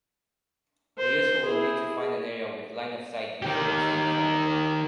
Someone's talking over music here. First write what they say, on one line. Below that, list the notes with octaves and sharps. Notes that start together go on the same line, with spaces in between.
The user will need to find an area with line-of-sight before using the phone.
C5
E4 G#4
D#3 G4